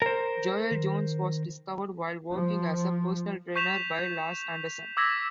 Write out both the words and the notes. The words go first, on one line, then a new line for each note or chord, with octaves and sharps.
Joel Jones was discovered while working as a personal trainer by Lars Anderson.
A#4 C5
D#3
F3
C#6 G6 B6 E7 F7
D6 E6 G#6 A#6 B6